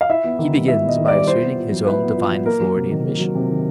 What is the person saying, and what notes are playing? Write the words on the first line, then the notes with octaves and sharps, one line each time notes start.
He begins by asserting His own Divine authority and mission.
F5
E4 E5
B3
D#3
G3
E4 E5
B3 D#5
D#3
G3 D5
E4 C5
B3
A#2
F#3
E4 B4
B3
A#2
F#3
A#3 A#4
F#3
C3
D#3
A#3
F#3
C3
D#3